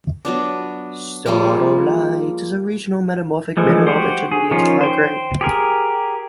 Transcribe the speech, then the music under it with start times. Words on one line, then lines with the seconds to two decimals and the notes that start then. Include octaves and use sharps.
Staurolite is a regional metamorphic mineral of intermediate to high grade.
0.25 F#3 B3 D4
1.26 F3 G3 G#3 A#3
3.57 E3 F3 G#3 A3
3.87 F#4 G4 C5
4.32 G#4
4.51 D#3 F3 C#4 F4
4.81 C5 G5
5.41 G4 G#4 A#4